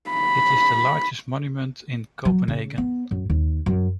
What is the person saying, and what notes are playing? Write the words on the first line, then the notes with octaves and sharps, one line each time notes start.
It is the largest monument in Copenhagen.
B5
F#3
C#3
B3
F#2
D#2
F#2